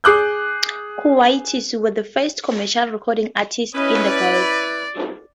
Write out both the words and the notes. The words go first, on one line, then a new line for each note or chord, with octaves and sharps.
Kuwaitis were the first commercial recording artists in the Gulf.
G#4 D6 F#6 G6
C#4 E4 B4 D#5
D5